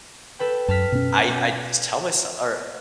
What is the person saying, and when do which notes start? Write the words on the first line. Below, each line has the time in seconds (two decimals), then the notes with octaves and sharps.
I I just tell myse or
0.39 A4 B4 G5
0.68 F#2 A5 F6 B6
0.92 B2 C#4
1.29 G4